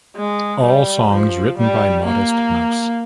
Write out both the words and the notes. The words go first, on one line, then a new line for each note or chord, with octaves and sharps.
All songs written by Modest Mouse.
G#3
G3
F3
G3
A#3